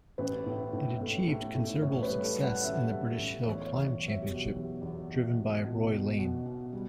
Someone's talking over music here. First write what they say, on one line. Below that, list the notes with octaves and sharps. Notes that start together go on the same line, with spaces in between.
It achieved considerable success in the British Hill Climb Championship, driven by Roy Lane.
A1 B4
A2
A2
A2
A2
A2
A1 C#5
B4
G3
A4
G3
F#5
A1 E5
G3
A1
E2 C#5
C#5
E2
C#5
F#3
E5
G4
B2 F#4
E2
E2
B2
B2
B2
B2
B2
B2
G3